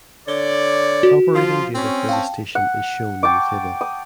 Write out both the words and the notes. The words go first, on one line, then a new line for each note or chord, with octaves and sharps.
Operating data for the station is shown in the table.
D3 C#5 D5 G7
F#4
F3 F4
C4 C#4
F5 G5 A5
F#5
G5 A5 C#6 D6
D#6